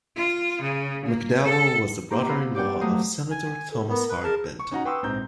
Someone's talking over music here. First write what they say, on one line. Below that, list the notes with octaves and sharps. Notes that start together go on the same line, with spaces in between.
McDowell was the brother-in-law of Senator Thomas Hart Benton.
F4
C#3
A#3
A4
A#3 G4 A#5
B3 C4 E4 F4 C5
G4 D5 F#5 G5
F3 F#3 A3 A#4 C5 D#6
G#5
A4
B3 A#4
B4
G#4 A#4 A5
C#6
C#4 D#4 F#4 F#5 A#5
B4 G5 C6 C#6 D#6 E6
A#1 G#2 C4 A#5 G6